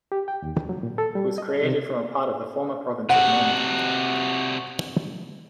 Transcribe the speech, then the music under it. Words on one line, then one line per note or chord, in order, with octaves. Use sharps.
It was created from a part of the former province of Normandy.
G4
G5
D#2
F#3
A#2
A4
G3
D#5
C3
C3 F#4 F#5